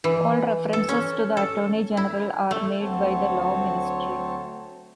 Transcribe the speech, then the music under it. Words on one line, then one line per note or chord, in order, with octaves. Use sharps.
All references to the Attorney General are made by the Law Ministry.
E3
A4
C#4
A4
E4
A3
D2 F#3 C4 C#5 A5